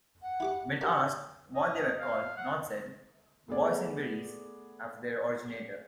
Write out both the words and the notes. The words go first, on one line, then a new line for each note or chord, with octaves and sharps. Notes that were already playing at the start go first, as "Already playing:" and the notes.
When asked what they were called, Knott said, "Boysenberries," after their originator.
F#5
E4 G4 D6
D2 G3 A#4 F#5
D#5
F5
F#5
A3 B3 G#4 D5